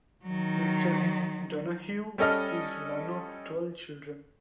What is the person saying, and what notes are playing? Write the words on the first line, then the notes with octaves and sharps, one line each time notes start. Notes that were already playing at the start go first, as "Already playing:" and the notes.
Mr. Donahue is one of twelve children.
D#3 F#3
G3 C#4 A4 D#5 F6